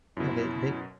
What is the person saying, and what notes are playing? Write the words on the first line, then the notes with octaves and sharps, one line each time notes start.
You know, they they
F#2 B2 E4